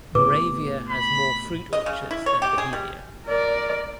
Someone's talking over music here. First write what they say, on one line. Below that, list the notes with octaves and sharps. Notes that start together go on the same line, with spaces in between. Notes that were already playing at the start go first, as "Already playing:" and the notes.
Moravia has more fruit orchards than Bohemia.
A2 C3 B3 B4 D6
B5
D#5
C#3
E4
C#5
G4
G#4
G3
A#4 D5